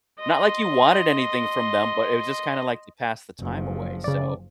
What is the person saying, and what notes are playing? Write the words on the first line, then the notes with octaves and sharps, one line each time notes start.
Not like you wanted anything from them, but it was just kinda like to pass the time away, so
D#5 C6
F#1 F3
C#3 D5